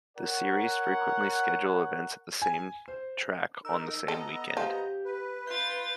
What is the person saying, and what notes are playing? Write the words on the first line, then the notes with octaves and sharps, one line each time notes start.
The series frequently schedule events at the same track on the same weekend.
A#4 C#5 F#5
G#5
C5
D#4 A#4 E6
B3 A4 D#5 A#5
F3 G4
B4
F4 G6 A6